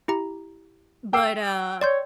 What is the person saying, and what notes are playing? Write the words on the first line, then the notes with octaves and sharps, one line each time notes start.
But, uh
E4 G4 A#5
G5 E6 C7
C#5 D5 C6 G6